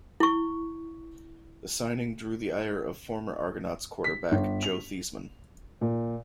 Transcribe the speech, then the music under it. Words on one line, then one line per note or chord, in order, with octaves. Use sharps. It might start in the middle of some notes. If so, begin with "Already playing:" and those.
The signing drew the ire of former Argonauts quarterback Joe Theismann.
E4 C#6
B6
G1
F7
A#2